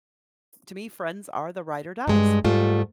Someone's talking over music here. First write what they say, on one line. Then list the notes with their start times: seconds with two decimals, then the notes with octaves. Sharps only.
to me, friends are the ride or dies.
2.07 G2 G#3
2.44 G#2 G3 A3 F4